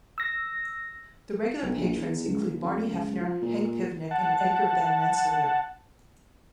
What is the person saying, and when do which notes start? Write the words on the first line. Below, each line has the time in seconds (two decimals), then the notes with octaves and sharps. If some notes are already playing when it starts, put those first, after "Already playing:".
The regular patrons include Barney Hefner, Hank Pivnik, and Edgar Van Ranseleer.
0.18 E6 A#6
1.62 B1
1.77 A#1
1.96 E2
2.26 C#2
2.42 D#2
2.63 F2
2.90 C#2
3.21 F3
3.42 A#2
4.11 F#5 A5